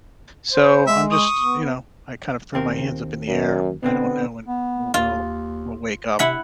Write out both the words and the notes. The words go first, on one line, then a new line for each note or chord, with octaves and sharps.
so I'm just, you know, I kind of throw my hands up in the air, I don't know when we will we'll wake up.
C5
G#3 E5
C#6 D#6
B3
D#2 C4 A#4
F#2
B2 D3 B3 C4
B3
D#2 F4
C3 E4 F#5 B5